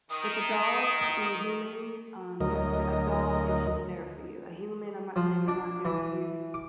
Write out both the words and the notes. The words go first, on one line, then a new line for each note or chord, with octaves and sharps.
with a dog and a human, um, you a dog is just there for you, a human, I'm not saying they're not there for you,
D#3 D#6
D2 F#3 A#4 D#5
F3
D4
E3
D6